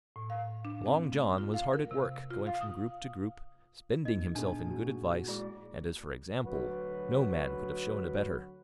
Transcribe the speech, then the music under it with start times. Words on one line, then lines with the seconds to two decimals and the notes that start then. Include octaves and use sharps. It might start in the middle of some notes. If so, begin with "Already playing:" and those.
Long John was hard at work going from group to group, spending himself in good advice, and as for example no man could have shown a better.
0.16 A2
0.30 F5
0.65 D4
0.86 C4
1.12 A3
1.38 F4
1.54 F5
1.73 A#4
1.91 C3
2.30 F4
2.47 F5
2.61 D#6
4.05 A#3 D#4 D#5
4.35 A#2 B3 D4 G#4 A5
4.65 A#3 F#4
5.11 F#4 G#4
5.28 G#3 E4 G#4 D5
6.46 D2 F#3 F#4 B4